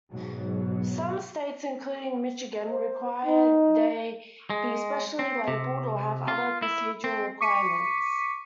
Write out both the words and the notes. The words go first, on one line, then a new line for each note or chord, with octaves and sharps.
Some states, including Michigan, require they be specially labelled or have other procedural requirements.
G#2 B2 F#3
C5
D#4
G#3
C4
C3
F4
E4
C4
C#6 D6 B6 C#7 D#7